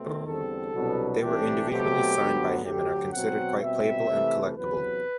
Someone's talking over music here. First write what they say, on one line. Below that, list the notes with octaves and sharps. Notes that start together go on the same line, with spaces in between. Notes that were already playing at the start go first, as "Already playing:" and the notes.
They were individually signed by him and are considered quite playable and collectable.
Already playing: B2 A3 C4
E2 D3 G3 C4 A4
C2 B2 F#3 B3 D4
C2 C3 E3 A3 D4 G4
B2 F#3 A3 C4 G4
D2 D3 F#3 B3
D2 D3 F#3 G4
B2 F#3 C4 F#5
B2 G3 C4 E5
C3 E3 A3
E2 C3 F#3 B4